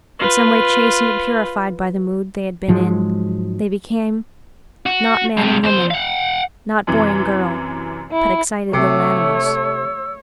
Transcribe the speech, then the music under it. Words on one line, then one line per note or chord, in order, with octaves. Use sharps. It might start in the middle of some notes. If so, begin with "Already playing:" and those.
In some way chastened and purified by the mood they had been in, they became, not man and woman, not boy and girl, but excited little animals.
F4 B4
G#2 F3 F#3 G#3
F#4
G2 C3
E2 C5
F5 F#5
F#2 C3 E3
E4
C3 A3 C#5 E6